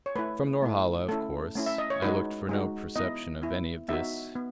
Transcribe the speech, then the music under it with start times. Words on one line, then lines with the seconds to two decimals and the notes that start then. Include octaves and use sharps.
From Norhala, of course, I looked for no perception of any of this.
0.06 C#5
0.15 A3 E4 B4
0.62 A3 E4
1.09 A3 C#4 E4 A4
1.56 A3 C#4 E4
1.66 E5
1.78 D#5
1.90 C#5
2.02 G#3 D#4 F#4 B4
2.49 G#3 D#4 F#4
2.96 B3 E4 D#5
3.42 B3 E4
3.89 B3 D#4 F#4 E5
4.36 B3